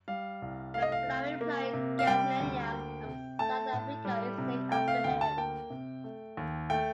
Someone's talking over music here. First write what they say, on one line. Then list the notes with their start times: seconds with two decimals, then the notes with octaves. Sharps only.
The flowering plant Gazania, of southern Africa, is named after him.
0.08 G3 F5
0.42 C2
0.74 A3 F5
0.82 D#5
0.92 F5
1.07 C3
1.41 A#3
1.74 C3
1.99 F5
2.07 G3 G5
2.40 D2
2.72 A#3
3.06 C3
3.39 A3 A5
3.73 A2
4.05 G3
4.38 C3
4.71 A3 G5
4.88 F5
5.04 D2 G5
5.21 A5
5.37 A#3 G5
5.70 C3
6.04 A3
6.37 D#2
6.70 A3 G5